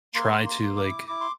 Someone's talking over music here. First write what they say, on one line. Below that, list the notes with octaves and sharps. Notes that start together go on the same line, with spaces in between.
try to, like,
A#3 C6
A#3
C6
A#3
D6
E4
E4 D6
C6